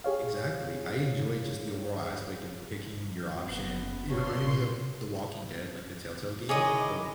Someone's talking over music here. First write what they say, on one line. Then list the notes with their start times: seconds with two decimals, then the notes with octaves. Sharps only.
Exactly. I enjoyed just the overall aspect of picking your options. It reminded me of The Walking Dead, like, the Telltale game. So
0.04 G4 G#4 C#5 F5
3.46 F#1 B3
4.08 G2 A#2 C#5 C6
6.49 D#3 G#3 E4 G#4 C#5 D#5 D6 D#6